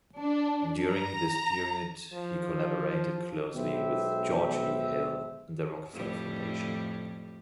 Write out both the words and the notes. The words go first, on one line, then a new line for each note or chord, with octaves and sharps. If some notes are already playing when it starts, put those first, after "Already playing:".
During this period he collaborated closely with George E. Hale and the Rockefeller Foundation.
D4
A#5
F3
B1 G#3 B3 G4 C5 E5
F2 A2 G3